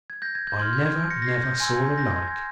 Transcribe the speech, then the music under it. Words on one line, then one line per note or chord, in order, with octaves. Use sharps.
'I never, never saw the like.
G#6
G6 A#6
G#6
G6
C6 F6 G#6
G6
G#6
G6
A#6 C#7
A#6
G#6 C7
G6 A#6
G#5 C6 E6 G6 G#6
G#6
G6 A#6
G6 A#6
G#6
G#6